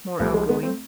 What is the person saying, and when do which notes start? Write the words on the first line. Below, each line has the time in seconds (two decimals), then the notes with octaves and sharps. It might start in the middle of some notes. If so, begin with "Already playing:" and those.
more outgoing.
0.20 C2 C3 F3 A3
0.34 G#3
0.49 G#3 B3
0.63 A3 C4